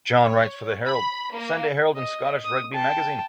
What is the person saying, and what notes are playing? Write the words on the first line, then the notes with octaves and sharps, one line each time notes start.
John writes for The Herald, Sunday Herald and Scottish Rugby Magazine.
C#5
B5
A#3
D#5
D#6
G5 A5